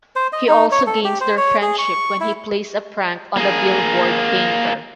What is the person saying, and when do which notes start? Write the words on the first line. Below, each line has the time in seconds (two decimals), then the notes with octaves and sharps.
He also gains their friendship when he plays a prank on a billboard painter.
0.16 C5
0.32 D#5
0.48 D#4
0.71 C#5
0.87 A4
1.04 G4
1.21 C5
1.37 C#5
1.62 G#4
1.79 C#6
2.20 E4
3.37 A#3 G#4